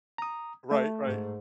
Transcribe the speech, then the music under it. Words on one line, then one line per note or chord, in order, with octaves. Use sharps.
Right, right.
A#5 D#6
A3
G#2